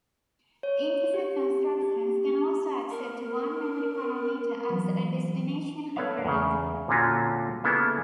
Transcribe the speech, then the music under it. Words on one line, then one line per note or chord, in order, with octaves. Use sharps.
Integer instructions can also accept one memory parameter as a destination operand.
C#5
G4
G4
A#4
E3 F#3
A4 B4 C#5 D5 E5 F5
E2 C#3
A#2 D3 C4 C#4 F4 F#4
C#3 A#3 B3 D4 E4 A4